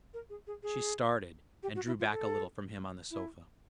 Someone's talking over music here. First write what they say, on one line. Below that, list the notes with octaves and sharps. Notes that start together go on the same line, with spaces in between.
She started, and drew back a little from him on the sofa.
A#4
G#4
G#4
G#4
G4
F#4
E4
F4
A4
E4